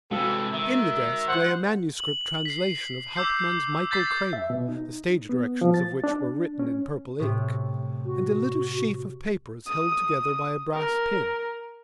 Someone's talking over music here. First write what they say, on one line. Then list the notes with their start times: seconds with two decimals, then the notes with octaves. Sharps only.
In the desk lay a manuscript translation of Hauptmann's Michael Kramer, the stage directions of which were written in purple ink, and a little sheaf of papers held together by a brass pin.
0.11 C3 E3 G#3 F#4 A4
0.53 D#3 E5
1.27 C5 F#5
1.97 F#7
2.45 B6 C7
3.16 D6 E6 G6 C7
3.39 C7
3.91 G6 A6 B6 C7
4.33 E5
4.50 B2
4.69 D#4
5.29 B3
5.61 F3
5.74 A6
6.04 D4
6.59 C#4
7.20 A2 C3
8.06 F#4
9.67 D#6
10.73 A#4